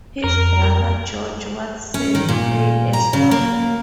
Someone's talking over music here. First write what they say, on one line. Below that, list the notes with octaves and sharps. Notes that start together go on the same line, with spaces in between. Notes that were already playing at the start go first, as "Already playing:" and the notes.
His brother George Watson played as Lock.
F2 A#4
C#4
D#3
A#2
A#5
C#3
A#3